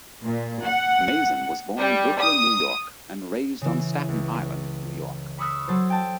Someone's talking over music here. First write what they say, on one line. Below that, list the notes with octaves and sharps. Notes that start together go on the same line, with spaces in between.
Mazin was born in Brooklyn, New York, and raised on Staten Island, New York.
A#2
F#5
G3
D#6
C#3 E3
C#2
B5 C#6 D#6 E6 F#6 B6
F#3 A4 C5
G5 A5